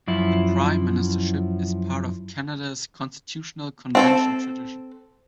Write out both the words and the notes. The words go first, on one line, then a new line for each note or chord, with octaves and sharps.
The prime ministership is part of Canada's constitutional convention tradition.
F#2 F3 E4
C4 A4 C5